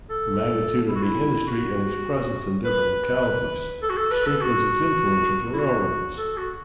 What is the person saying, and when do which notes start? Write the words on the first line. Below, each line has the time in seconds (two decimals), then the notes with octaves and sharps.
The magnitude of the industry and its presence in different localities strengthens its influence with the railroads.
0.10 A4
0.88 E4
0.96 F#4
1.03 E4
1.47 F#4
2.64 B4
3.82 A4
3.90 F#4
3.97 A4
4.11 B4
4.26 A4
4.41 F#4
5.53 E4
5.59 F#4
6.18 A4
6.37 F#4